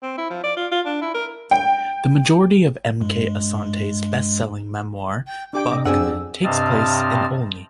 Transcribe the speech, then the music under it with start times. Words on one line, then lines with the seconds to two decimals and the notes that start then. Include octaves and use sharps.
The majority of M. K. Asante's bestselling memoir Buck takes place in Olney.
0.02 C4
0.18 E4
0.30 F3
0.44 D5
0.57 F4
0.72 F4
0.85 D4
1.02 E4
1.14 A#4
1.51 G5
3.01 G2 G#3
5.27 G5
5.53 D4 G4 G5 D6
5.71 C3 D#5
5.85 F#2 C4 D4 G#4 F#5 E6
6.00 F2
6.43 G2 C3 C4 D#5 A5 F6